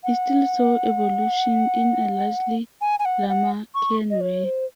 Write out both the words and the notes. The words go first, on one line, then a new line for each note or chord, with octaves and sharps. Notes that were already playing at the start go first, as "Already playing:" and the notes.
He still saw evolution in a largely Lamarckian way.
F#5
G#5
G#5
F#5
F#5
C#6
D#5
C#5
C5